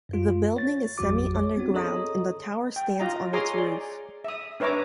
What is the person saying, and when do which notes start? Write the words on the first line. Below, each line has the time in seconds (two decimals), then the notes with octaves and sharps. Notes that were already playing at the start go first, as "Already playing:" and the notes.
The building is semi-underground and the tower stands on its roof.
0.09 F#2 F4
0.56 C#5 A6
0.98 A1 F2 F#3 F#4 D6
1.35 C#5
1.56 B3 C4 D4 F#4
1.74 G#4 A4 C#5 D#5 A#5 D#6
2.76 G5
3.00 F4 D#5 A#5
3.33 G#4 C#5 A#5 C6 D6 D#6
3.54 G#4 D5
4.24 E5 D#6
4.60 D4 B4 C#5 E5 A#5 D6